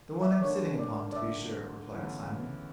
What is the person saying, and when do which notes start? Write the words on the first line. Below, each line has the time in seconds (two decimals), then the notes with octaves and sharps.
'The one I'm sitting upon, to be sure,' replied Simon.
0.22 E5
0.32 D5
0.42 D2 D3 A#3 D4 C#5
0.79 D5
1.12 D5
1.16 E5
1.92 D2 C#3 E3 B3